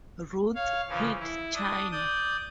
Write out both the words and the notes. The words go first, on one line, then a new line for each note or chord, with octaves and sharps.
Ruth hit China.
C#5 F5
C#3 E3 F3
E4
D4 D#6
D5 D#6 G6